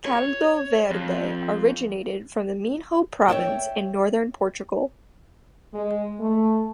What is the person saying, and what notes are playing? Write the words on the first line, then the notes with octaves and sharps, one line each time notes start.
"Caldo verde" originated from the Minho Province in northern Portugal.
C#5
F2
C#5 D5 E5 G5
G#3
A3